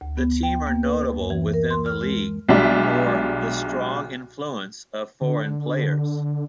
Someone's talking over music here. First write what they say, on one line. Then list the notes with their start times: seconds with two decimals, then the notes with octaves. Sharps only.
The team are notable within the league for the strong influence of foreign players.
0.01 D2
0.17 B3
0.43 G5
0.67 A#3
0.83 B4
1.16 F#2
1.30 E3
1.54 A#4
1.71 C6
1.86 F6
2.01 G#3
2.49 B1 G3 G#3 D4 E5
5.21 D3